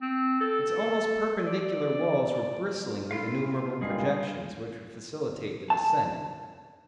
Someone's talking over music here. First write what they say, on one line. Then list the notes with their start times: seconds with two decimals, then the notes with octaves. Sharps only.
Its almost perpendicular walls were bristling with innumerable projections which would facilitate the descent.
0.01 C4
0.41 A4
1.46 D5
3.11 E4 F4 F5
3.81 G2 A#2 G3 G#3 G#4 F5
5.70 A5